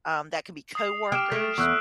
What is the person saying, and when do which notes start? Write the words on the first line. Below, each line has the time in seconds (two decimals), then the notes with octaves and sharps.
um, that can be coworkers.
0.75 D#6 C7 F7
1.12 G4 F6 D7 E7
1.32 A3 B6 D7
1.58 E2 C#6 E6 F#6